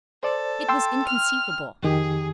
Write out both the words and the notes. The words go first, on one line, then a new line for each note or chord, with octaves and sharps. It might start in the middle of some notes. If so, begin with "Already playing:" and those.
It was inconceivable.
A4 C5 D5
G5 C6 E6
F6
F2 D#3 G4 G#4